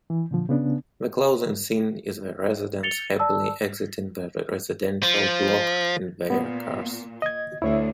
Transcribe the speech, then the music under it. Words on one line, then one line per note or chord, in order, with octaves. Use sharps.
The closing scene is the residents happily exiting the residential block in their cars.
E3
A#2 D3 F3
C#3 B3 D4
A6 C#7 F7 G7
D5 A5 E6
F3
A#2 B3
D#5 G#6
D2 E4 C#5 E5